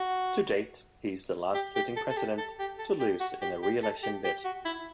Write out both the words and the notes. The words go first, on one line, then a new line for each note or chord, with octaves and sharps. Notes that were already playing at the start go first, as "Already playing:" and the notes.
To date, he is the last sitting president to lose in a re-election bid.
Already playing: F#4
G4
G4
A4
A4
G4
A4
G4
A4
G4
F#4
G4
G4
A4
G4
G4
F#4
E4